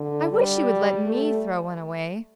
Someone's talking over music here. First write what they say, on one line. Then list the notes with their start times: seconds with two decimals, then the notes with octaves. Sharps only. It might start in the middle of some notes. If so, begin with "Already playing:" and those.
"I wish you would let me throw one away."
Already playing: D3
0.31 G3
1.06 A3